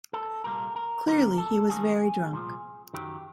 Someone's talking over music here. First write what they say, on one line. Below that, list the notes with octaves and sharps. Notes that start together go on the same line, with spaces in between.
Clearly he was very drunk.
A4
C2 A#2 G3 A#3 A#4
A#4
D2 D3 F#3 B3 A#4
A4
D#2 D#3 G3 A#3 C#4 G#4
C2 A#2 F3
F#2 D#3 F#3 G4